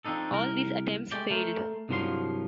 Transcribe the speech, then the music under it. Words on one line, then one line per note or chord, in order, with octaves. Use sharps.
All these attempts failed.
F3 C4 D4 D#4 A4
C2 A#4
G#3 A3 G4 D5 G5
A3 A#4 C5
C2 G2 F3 F#3 F4 C6